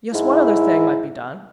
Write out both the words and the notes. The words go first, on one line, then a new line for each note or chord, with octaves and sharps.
Yes, one other thing might be done.
G#2 E4